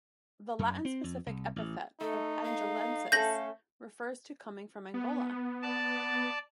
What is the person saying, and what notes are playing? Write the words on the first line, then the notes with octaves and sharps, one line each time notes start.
The Latin specific epithet of "angolensis" refers to coming from Angola.
F#2
C4
F2
C2
A1
A3 D#4 A4
F5
A3 C#4 A4 G6 A#6 F#7
B3
D5 A5